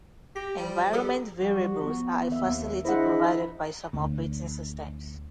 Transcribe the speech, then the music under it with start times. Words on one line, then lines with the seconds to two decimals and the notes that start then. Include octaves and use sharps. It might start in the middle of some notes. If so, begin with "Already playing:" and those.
Environment variables are a facility provided by some operating systems.
0.36 G4 A#6
0.57 F3 G3
0.93 G4 A4 D6
1.42 F3 G3 F#4 G4
1.82 B3
2.29 D#2 D#3 E5
2.85 D4 E4 G#4 C5 D#5 F#5
3.93 D2